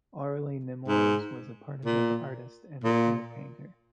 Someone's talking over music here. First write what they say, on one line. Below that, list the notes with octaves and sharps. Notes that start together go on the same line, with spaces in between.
Aurelie Nemours was a partisan artist and acrylic painter.
G#2
A#2
A#2